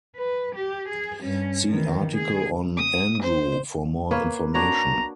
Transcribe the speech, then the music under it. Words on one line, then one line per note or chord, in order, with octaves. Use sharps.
See article on "Andrew" for more information.
B4
G4
G#4
G2 C#4
D#3 E3
G#4
D#6
C5
A#3 B4 C#5
D4 F#4 C#5 A#5